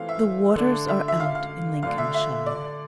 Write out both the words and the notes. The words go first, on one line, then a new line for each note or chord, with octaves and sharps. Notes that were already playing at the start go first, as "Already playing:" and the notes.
The waters are out in Lincolnshire.
Already playing: E3 A3 C4 F5
E5
D3 A3 D4
E5
E5
F5
F5
D3 A3 D4 F5
E5
E5
D5